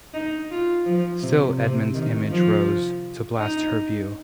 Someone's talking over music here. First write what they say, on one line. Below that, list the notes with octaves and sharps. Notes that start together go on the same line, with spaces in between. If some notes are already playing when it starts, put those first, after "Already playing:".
Still Edmund's image rose, to blast her view.
D#4
F4
F3
C3
C3
D#3
F3
D#4